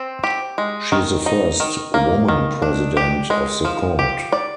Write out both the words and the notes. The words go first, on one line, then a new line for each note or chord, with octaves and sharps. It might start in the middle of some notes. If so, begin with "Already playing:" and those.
She is the first woman President of the court.
Already playing: C4
G4
G#3
D#3
D#4
D#3
A#3
D#3
D4
G4
G#3
F3
G4
D5